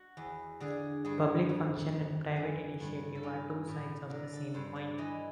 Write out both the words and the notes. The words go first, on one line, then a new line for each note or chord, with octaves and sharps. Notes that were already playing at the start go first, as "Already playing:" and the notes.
Public function and private initiative are two sides of the same coin.
Already playing: F#4
E2
D3 G#4
G2 G#4
F2
F2
E3
G2
A4
E3 A#4
A2 A#4
D3 A#4
A4
G2 C5
D5
E3 D#5